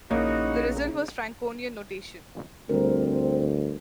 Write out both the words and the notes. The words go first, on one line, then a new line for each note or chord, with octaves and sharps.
The result was Franconian notation.
A#1 C#3 A#3 D#4 E4 F#4
D2 G3 C4 A#4 C5